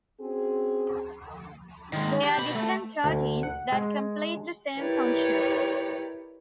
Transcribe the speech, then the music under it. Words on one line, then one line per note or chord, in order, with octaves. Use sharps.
They are different proteins that complete the same function.
C4 C#4 F#4 G#4
D#3 G#3
G4
B2 B5
A3
D2
F#5
G#3
E4 G4 A#4 B4 C#5 D5